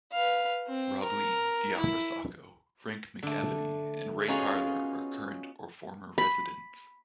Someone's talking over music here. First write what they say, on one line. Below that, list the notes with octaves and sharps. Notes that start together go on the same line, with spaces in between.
Rob Lee, Diafra Sakho, Frank McAvenie and Ray Parlour are current or former residents.
B4 F5
C4
A#4
E4
D3 A3
B3 C#4 D#4 F4 F#4 G#4
B5